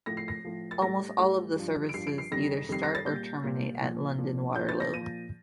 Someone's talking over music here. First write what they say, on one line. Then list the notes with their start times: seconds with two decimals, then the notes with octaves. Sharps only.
Almost all of the services either start or terminate at London Waterloo.
0.06 A2 F3 A#6
0.17 C7
0.28 A#6
0.45 A2 F3
0.71 A6
0.82 A2 G3 A#6
1.19 A2 G3
1.56 G2 F3
1.89 D7
1.94 G2 F3 C7
2.07 D7
2.18 C7
2.31 F2 D#3 G3 A#6
2.69 F2 D#3 G3 C7
2.83 A#6
2.95 A6
3.06 A#2 G3 G6
3.44 A#2 G3
3.82 A#2 F3
4.18 A#2 F3
4.56 A#2 F3 G6
4.69 A6
4.80 A#6
4.93 A#2 F3 D#7